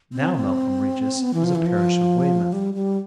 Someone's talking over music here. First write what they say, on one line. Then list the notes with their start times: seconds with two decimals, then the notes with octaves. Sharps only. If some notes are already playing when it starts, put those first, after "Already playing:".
Now Melcombe Regis is a parish of Weymouth.
0.14 C4
0.36 C4
1.23 B3
1.34 E3
1.44 F3
1.55 E3
1.66 F3
2.53 G3
2.75 G3